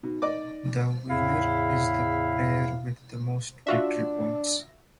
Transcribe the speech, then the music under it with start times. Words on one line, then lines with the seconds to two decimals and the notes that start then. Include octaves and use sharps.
The winner is the player with the most victory points.
0.03 B2 D#4
0.22 D5 D#5 D6
1.08 E2 A2 C#3 E4 E5 F5
3.67 D4 F4 F#4 E5